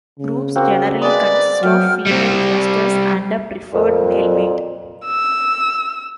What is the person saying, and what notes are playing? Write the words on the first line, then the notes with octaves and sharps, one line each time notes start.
Groups generally consist of female clusters and a preferred male mate.
C#3
A#3 C4 F#4
G#3 B4 D5 D#6
F#3 F#5 G5 F6
G3 C4
F2 A#2
E6